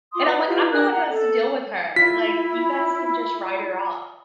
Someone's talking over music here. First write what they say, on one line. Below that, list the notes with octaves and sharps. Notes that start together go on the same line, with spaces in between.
And I'm like, I'm the one who has to deal with her, like, you guys can just write her off.
F4 C6 D6 D#6
B4 D5 F#5
E4 F4 G4 B4
D4 A#4 F#6
F#5 A#5
A4
E4 F4 B6